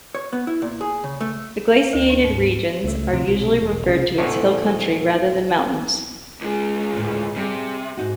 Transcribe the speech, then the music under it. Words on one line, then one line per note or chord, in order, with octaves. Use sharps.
The glaciated regions are usually referred to as hill country rather than mountains.
C#5
B3
E4
A#2
G#4
C#3
A3
G6
D2
D4
G#2
C#2 A3
D2 C3 F3
B1 C3
E1
C2 C#3
A#1 F2 A2 D3 A3
C#2 G#3
D2 A2
C3 G3 G#4
G#2 D#4 F#4